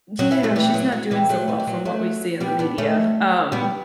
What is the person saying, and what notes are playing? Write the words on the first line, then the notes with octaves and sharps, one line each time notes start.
Yeah, she's not doing so well from what we see in the media, um,
F#3
C#4 E4
F#3 A3
E3 G3
F#3
F#3
E3 G3
F#3 A3
E3 G3
E3
F#3
F#3 A3
G3 B3
B3 D4
A3 C#4
G3 B3